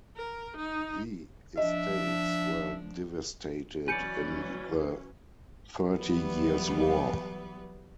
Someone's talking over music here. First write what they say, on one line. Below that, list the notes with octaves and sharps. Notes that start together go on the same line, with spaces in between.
The estates were devastated in the Thirty Years' War.
A#4
D#4
F3 D4 D#5 E5
E3 F#3 C#4 B4 D5 G#5 G6 C#7
E3 F#3 G3 B3 B4